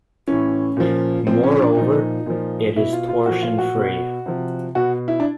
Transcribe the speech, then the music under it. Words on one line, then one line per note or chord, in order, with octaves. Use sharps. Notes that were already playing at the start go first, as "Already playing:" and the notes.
Moreover, it is torsion-free.
A2 E3 C#4
A#2 F3
A#2 F3 C4
C#4
D4
A#2 F3 D#4
A#2 F3
B2 E4
F4
F4
A#2 F3 F#4
F4
F#4
B2
C3 F3
B2 F#4
E4
D4